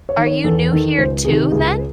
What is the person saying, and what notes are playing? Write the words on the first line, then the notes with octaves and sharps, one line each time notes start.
Are you new here, too, then?
C#5
D#3
C#5
E2 A4
D#3 A4
C#2 C5
C3 D#3 G#4
C#2 G#4